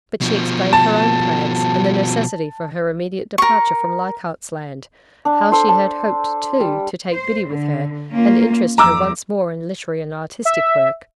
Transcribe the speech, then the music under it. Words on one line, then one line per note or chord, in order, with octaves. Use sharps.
But she explained her own plans and the necessity for her immediate departure from Leichardt's Land--how she had hoped, too, to take Biddy with her and interest her once more in literary and artistic work.
B2 F3
A5
A#4 C#6
D4
A4 C5
A5
G3
C5
D3
A#3 C#4 F4
F2 A#5 D6 E6
E5